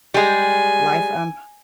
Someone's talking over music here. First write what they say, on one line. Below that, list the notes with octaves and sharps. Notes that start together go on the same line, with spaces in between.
life, um,
G3 G#3 G#5